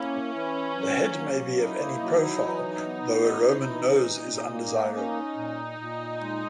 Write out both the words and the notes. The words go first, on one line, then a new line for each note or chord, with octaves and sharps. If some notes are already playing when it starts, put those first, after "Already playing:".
The head may be of any profile though a Roman nose is undesirable.
Already playing: A#3 C#4 E4
E3
F#3
A#3
D#4 E4
F#3
E3
B3
E4
E3
A#2
A#3
C#4 D#4
A#2
A#2
G#3